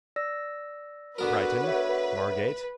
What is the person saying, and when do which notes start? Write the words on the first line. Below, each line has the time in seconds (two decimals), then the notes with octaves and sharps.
Brighton, Margate.
0.16 D5 E6 A#6
1.18 D3 B3 F#4 A#4 B4
1.64 C#5 E5